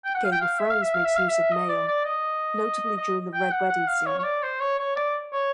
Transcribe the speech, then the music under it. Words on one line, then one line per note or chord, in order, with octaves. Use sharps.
Game of Thrones makes use of mail, notably during the "Red Wedding" scene.
G5
F#5
F5
G5
F5
E5
F5
E5
F5
E5
F5
E5
D#5
D5
D5
D#5
D#5
G5
F#5
F#5
F5
C#5
C#5
D5
C5
C#5
C#5
D5
C#5